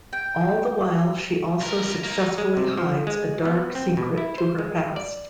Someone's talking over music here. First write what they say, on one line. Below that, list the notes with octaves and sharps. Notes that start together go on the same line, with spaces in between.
All the while she also successfully hides a dark secret to her past.
G5
C#2 A#4
A#3 D#4
G#3
C3
F3
G#3
B3
C4
B2
E4
C5
G#3
D5